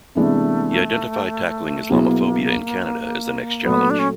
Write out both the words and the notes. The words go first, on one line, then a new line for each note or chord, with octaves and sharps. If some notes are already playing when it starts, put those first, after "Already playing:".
He identified tackling Islamophobia in Canada as the next challenge.
C3 E3 G#3 A3 B3 D4
B2 F#3 A#3 B3 E4 G#4
A#2 F#3 A3 B3
D4
C#4